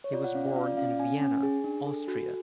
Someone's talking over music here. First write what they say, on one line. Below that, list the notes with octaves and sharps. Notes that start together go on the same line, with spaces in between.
He was born in Vienna, Austria.
C#5
F4 D5
F#5
C#4 F5
D5
F4 F5
D5
C#4 F5
C#4 G#5
C#4
G#4
D4
A4
F#4